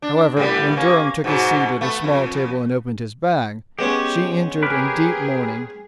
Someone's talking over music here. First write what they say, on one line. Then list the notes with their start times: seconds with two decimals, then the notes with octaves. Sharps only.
However, when Durham took his seat at a small table and opened his bag, she entered in deep mourning.
0.02 D4
0.37 A2 G3 B3
0.76 A#3 C#4
1.24 G#2 B2 F#3
1.81 A3 B3
2.04 F2
3.79 G#3 B3 C#4 G4
4.63 G4 G#4 A#4 B4